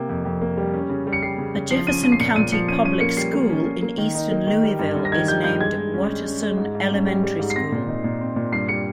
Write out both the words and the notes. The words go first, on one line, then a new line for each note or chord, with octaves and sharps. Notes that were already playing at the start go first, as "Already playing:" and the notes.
A Jefferson County Public School in eastern Louisville is named Watterson Elementary School.
Already playing: C3 A#3
F2
F2
A#3
G3
C#4
C#3
G3
C#7
G3 C7
C#3
C#3
F3 C7
C#4 D#7
F3 D#7
C7
A#2 C#7
A#2 D#7
F3 C#7
C#4 D#7
C#4 D#7
A#3 C#7
G3 C7
A#3
C#4
A#3
A#3
D#3
D#4
A#3
D#3
G3
G2
G2
A#6
D#3 G#6
G3 G6
G2 G6
G#3 G#6
G#3
C#4
G#3
C#4
G#3
G#2
G#2
C#4
G3
G3
G#2
C7
C4 A#6
A#2
D#4
A#2
C4
A#2
G2 C7
G3 C#7